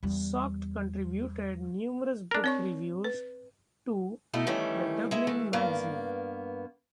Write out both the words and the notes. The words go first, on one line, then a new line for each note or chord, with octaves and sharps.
Salkeld contributed numerous book reviews to "The Dublin Magazine".
E2 G3
D4 A#4
C4 C#5 C#6
B4
B2 A3 D#4 E4
D#3 E3 G3 A3 C#4
G#3 E4
E3 G#3 A3
G2 A#3 B3